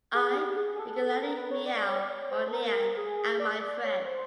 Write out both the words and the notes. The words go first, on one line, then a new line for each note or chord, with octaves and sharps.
I regularly meow or nyan at my friends.
G#4
G4
G#4
G#4
A4
A#4
B4
C#5
D5
D5
C#5
D5
C#5
C5
A4
A#4
G#4
G#4
D5
C#5
C5